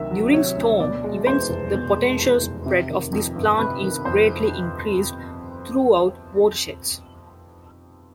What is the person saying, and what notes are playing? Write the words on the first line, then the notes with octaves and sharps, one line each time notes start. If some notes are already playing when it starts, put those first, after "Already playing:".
During storm events the potential spread of this plant is greatly increased throughout watersheds.
Already playing: D2 C3 D#3 F#3 E5
F#3
C3 C#5
D2
B2 D5
G#3
E2 C5
F1
B2
G#3
E2
F1
C3
D#3
F2
G1
C3 B4
D#3
F2 C5